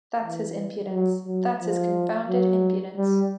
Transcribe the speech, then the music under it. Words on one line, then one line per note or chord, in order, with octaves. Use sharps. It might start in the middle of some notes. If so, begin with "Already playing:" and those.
That’s his impudence — that’s his confounded impudence.
E3
F#3
F#3
F3
F#3
G3